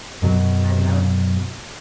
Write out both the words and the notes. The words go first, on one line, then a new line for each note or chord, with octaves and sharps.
I know.
F#2 B2 F#3